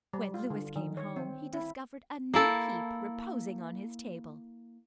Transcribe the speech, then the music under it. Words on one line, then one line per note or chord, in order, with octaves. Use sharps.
When Louis came home he discovered a neat heap reposing on his table.
G3
F4
D3
D#3
C#5
C4
E4
A#3 E4 A4